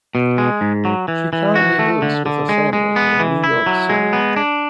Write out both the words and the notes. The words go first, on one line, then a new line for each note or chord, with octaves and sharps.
She currently lives with her family in New York City.
B2
G#3
G#2
F#3
E3
E3
F#4
A3
D3
D3
G#3
G#3
B3
E3
E4
F#3
G#3
B3
D4